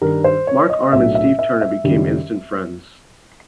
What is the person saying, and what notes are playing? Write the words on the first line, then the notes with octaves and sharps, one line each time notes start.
Mark Arm and Steve Turner became instant friends.
G2 D#3 G3 A#4
C5
C#5
D#5
B1 A2 F#3 A3 D4 E5
E5
E5
E5
F#1 F#2 D#3 G3